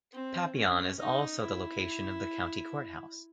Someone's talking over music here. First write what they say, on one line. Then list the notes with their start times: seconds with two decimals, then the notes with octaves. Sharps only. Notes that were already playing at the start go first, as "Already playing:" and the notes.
Papillion is also the location of the county courthouse.
0.13 C4
0.56 C#4
1.00 D#4
1.42 E4